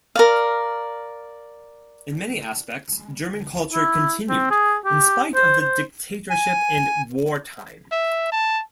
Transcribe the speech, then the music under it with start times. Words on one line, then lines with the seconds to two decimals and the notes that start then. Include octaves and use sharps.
In many aspects, German culture continued in spite of the dictatorship and wartime.
0.15 A#4 D5 F5
3.74 E4
4.29 C4
4.50 G#4
4.85 G4
5.35 C5
5.61 C5
6.30 G#5
7.92 E5
8.32 A5